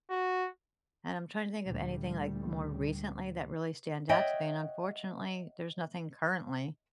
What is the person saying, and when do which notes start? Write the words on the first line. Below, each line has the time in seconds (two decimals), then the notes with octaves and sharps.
and I'm trying to think of anything like more recently that really stands out to me and unfortunately, there's nothing currently
0.10 F#4
1.66 D2 A#2 G3
4.09 C#5 D#5 E5 F#5 G5